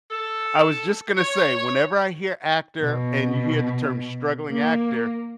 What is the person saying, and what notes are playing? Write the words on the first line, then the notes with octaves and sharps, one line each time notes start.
I was just gonna say, whenever I hear actor, and you hear the term, "struggling actor,"
A4
C#5
B2
A#3